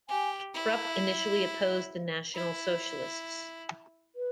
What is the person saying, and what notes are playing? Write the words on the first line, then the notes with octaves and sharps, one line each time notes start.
Krupp initially opposed the National Socialists.
G4 G#5
E4
E4
B4